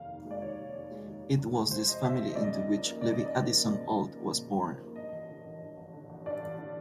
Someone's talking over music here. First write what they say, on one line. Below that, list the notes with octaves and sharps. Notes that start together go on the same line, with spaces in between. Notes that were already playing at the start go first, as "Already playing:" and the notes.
It was this family into which Levi Addison Ault was born.
Already playing: F1 D#2 F5
D#3
G#3
D5
D#2 C#5
F1
D#3
G#3
D#2
F1
D#3
G#3
D#2 C5
F1 D#5
D#3 E5
G#3 E5
D#5
C#3 D5
D#5
D#2
F3
A#3
C#3 D5
D#2 D#5
D5
F3
A#3
C#3
D#2
F3
A#3
C#3
D#2
F3
A#3
G2 D#5
A1
D3
A1
G2
A1
D3
A1
G2 D5
A1
D3